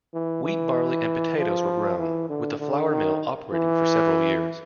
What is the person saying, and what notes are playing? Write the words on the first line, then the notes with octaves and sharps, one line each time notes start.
Wheat, barley and potatoes were grown, with a flour mill operating for several years.
E3
E3
F3
E3
D3
D3
D#3
E3